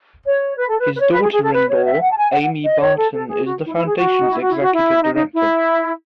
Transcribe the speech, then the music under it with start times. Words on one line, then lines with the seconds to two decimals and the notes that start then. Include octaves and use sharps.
His daughter-in-law, Amy Barton, is the Foundation's Executive Director.
0.25 C#5
0.58 B4
0.68 A4
0.79 B4
0.94 B4
0.99 C#5
1.10 B4
1.21 G#4
1.32 G#4
1.42 A4
1.53 B4
1.69 C#5
1.85 E5
2.01 F#5
2.11 A5
2.17 G#5
2.32 F#5
2.64 D#5
2.80 C#5
2.96 A4
3.12 A4
3.28 G#4
3.44 F#4
3.65 E4
3.76 E4
3.86 G#4
3.96 F#4
4.18 D#4
4.29 E4
4.39 F#4
4.49 E4
4.60 F#4
4.71 E4
5.02 D#4
5.13 D#4
5.34 E4